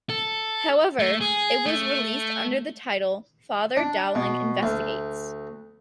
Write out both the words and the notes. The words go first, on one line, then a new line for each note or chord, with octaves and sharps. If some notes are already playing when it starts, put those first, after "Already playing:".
However, it was released under the title "Father Dowling Investigates".
A4
A3
G#4
A3
D4
B2
D2